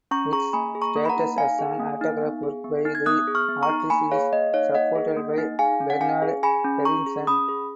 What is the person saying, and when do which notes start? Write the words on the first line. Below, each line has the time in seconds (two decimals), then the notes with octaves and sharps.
Its status as an autograph work by the artist is supported by Bernard Berenson.
0.11 C#4 A#5 C#6
0.32 G#4 A#5 C#6
0.53 A#3 G#5 B5
0.75 G#4
0.82 A#5 C#6
0.96 A#3
1.05 B5
1.09 F#5 A#5
1.17 D#4
1.38 A#3 F5 G#5
1.59 G#4
1.79 A#3
2.01 D#4
2.22 B3
2.43 G#4
2.64 B3
2.85 D#4
2.95 G#6
3.06 B3 D#6 F#6
3.27 G#4
3.35 C#6 F6
3.48 B3
3.63 A#5 C#6
3.70 D#4
3.80 C#6
3.90 A#3 G#5 B5
4.11 G#4 C#5 F5
4.33 A#3 D#5
4.53 D#4 C#5 F5
4.74 A#3 D#5 F#5
4.95 G#4
5.17 A#3
5.38 D#4
5.59 G#4 F5 G#5
5.80 C#4
5.90 F#5
6.01 C#4 F5 G#5
6.22 G#4
6.43 G#4 G#5 B5
6.64 C#4
6.85 C#4 A#5 C#6
7.06 G#4
7.27 C#4 B5 D#6
7.48 G#4